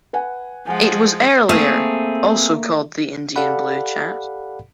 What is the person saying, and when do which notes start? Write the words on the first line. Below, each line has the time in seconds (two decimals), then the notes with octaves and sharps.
It was earlier also called the Indian blue chat.
0.13 B4 F#5 G#5
0.67 F3 G#3 F#5 G#5
1.49 A3 A#3 C4 G#4
3.36 G4 A4 D5 F5 F#5 B5